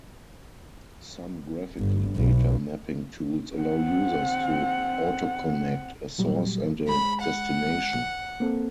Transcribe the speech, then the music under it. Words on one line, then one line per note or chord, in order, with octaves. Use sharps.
Some graphical data mapping tools allow users to "Auto-connect" a source and a destination.
G1
B1
C4 F#5
A#2 F#3 G3
G#3 B5
F#5
A#3 C4 A4